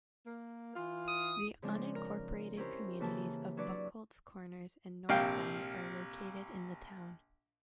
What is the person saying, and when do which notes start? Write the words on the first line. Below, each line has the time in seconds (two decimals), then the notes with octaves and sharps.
The unincorporated communities of Buckholz Corners and North Bend are located in the town.
0.26 A#3
0.76 E3 F4
1.08 D#6
1.62 C#3 F3 G#3 C4 D4
1.95 A#4
2.57 C#4 E4 G4 A#4 C5
3.00 C#3 E3 A#3 E4 A5
3.57 F#3 D4 F#4 B4 D5
5.09 A#1 C3 F5 G5